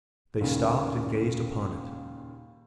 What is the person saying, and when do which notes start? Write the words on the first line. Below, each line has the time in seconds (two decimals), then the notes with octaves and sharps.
They stopped and gazed upon it.
0.41 D#2 A#2 C#3